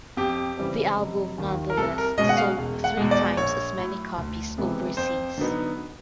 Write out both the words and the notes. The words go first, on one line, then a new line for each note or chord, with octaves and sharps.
The album nonetheless sold three times as many copies overseas.
F2 G4
C#3 E3 G3 C4
F1
D#2 D#3
A#4
C2 A4
A#4
B2 G#3 C#4 D#5
F#5
F5
E1
F#5
E2 B2 G#3
D5
A#1 C#5
A2 F#3
D2
C3 E3 G#3 B3
F2 C5
D3 F#3 B3 D#4